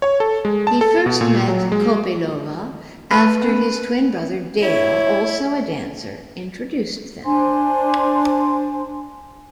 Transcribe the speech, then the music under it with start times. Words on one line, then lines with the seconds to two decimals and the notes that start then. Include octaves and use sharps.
He first met Kopylova after his twin brother Dale, also a dancer, introduced them.
0.02 C#5
0.20 A4
0.45 G#3
0.67 A5
0.81 A4
1.06 B2
1.21 A#2
1.48 F#3
1.72 G#3
3.11 A3 B4
3.42 B3 C#4
4.62 E4 C#5
7.25 D4 C5 G#5 C6